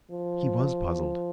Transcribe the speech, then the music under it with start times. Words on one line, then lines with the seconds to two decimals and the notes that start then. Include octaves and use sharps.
He was puzzled.
0.11 F3